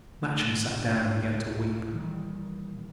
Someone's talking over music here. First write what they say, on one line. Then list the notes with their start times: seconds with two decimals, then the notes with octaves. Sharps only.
Matcham sat down and began to weep.
0.23 A3
0.40 G1
0.78 D1 G#2 D4
1.21 C#2
1.94 A#2 D#3 E3 G3